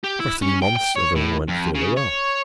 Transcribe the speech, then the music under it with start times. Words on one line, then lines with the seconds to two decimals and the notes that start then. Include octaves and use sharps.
For three months everything went fairly well.
0.04 G4
0.20 E4
0.42 C#4
0.62 G5
0.76 G5
0.96 C#5
1.16 A2
1.49 F2
1.75 C#3
1.97 C#5